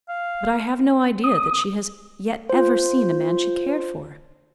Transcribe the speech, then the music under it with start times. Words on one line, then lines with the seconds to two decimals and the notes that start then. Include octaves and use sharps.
But I have no idea that she has yet ever seen a man she cared for.
0.09 F5
1.24 D#6
2.49 F4 C5